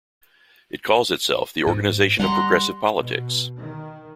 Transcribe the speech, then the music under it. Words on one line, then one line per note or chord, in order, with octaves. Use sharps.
It calls itself the organization of progressive politics.
G#2
G3 F#5 A#5 C6
B2
D#3